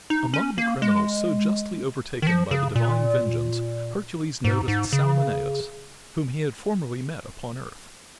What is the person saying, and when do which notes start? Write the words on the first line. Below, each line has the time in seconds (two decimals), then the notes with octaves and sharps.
Among the criminals so justly overtaken by the divine vengeance Hercules noticed Salmoneus, whom he had formerly met upon earth.
0.10 D#4
0.34 C#4
0.58 A#3
0.82 G#3
2.22 D#3
2.27 F3
2.51 C#3
2.76 A#2
4.44 G#2
4.68 G#2
4.93 C#3